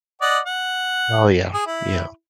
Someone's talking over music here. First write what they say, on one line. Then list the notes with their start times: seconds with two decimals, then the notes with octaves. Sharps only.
Oh, yeah. Yeah.
0.21 D5 D#5 F#5
0.45 F#5
1.54 G#4
1.66 E4